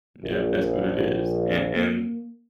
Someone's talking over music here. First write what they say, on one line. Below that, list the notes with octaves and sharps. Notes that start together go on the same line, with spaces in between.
Yeah, that's what it is. A and
A#1
A#3